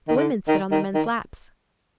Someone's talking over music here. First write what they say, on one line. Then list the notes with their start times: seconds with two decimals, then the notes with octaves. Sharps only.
The women sit on the men's laps.
0.08 D#3
0.16 D3
0.48 D#3
0.72 D#3
0.95 D#3